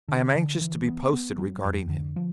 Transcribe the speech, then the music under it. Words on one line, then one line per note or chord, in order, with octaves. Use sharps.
I am anxious to be posted regarding him.
D3
D3
E3
B3
B3
F#3
F2
D3
F3